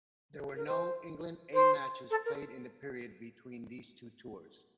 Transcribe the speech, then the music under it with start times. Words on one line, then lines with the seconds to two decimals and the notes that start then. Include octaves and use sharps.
There were no England A matches played in the period between these two tours.
0.56 A#4
0.67 C5
1.53 C5
2.10 A4
2.25 A#4